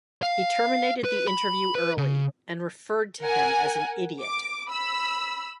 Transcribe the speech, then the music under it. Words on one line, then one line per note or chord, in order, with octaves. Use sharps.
He terminated the interview early and referred to him as an idiot.
F5
B4
B5
B4
C#3
A#4 F#5 G#5
D6
B5 E6